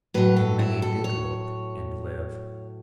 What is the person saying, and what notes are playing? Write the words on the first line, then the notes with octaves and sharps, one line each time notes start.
And many did look and live.
A2 F#3 B4
A4
E4
A4
C#5